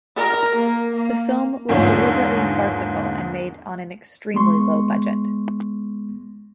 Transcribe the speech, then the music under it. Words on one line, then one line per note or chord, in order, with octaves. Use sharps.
The film was deliberately farcical and made on an extremely low budget.
A#4
A#3
A#3
E2 G#2 D3 F3 A#3 C#4
G#3 B3 C6 C#6